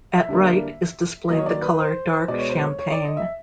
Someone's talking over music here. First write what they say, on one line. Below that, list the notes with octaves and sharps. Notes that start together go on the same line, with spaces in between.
At right is displayed the color dark champagne.
E5
D3 G3 A#3
D#3 F#3 A#3 D#5
C#5
D5
B4
C5
B2 G#3 B3 D5
C#5
C5
C#5
C#5
D5
D#5
E5